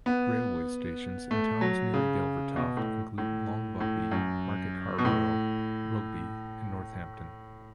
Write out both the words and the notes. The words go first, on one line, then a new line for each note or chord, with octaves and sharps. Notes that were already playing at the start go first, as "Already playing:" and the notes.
Railway stations in towns near Yelvertoft include Long Buckby, Market Harborough, Rugby and Northampton.
B3
A3
F#3
C#3
B2
A2
A2
A2
F#2
B2
A2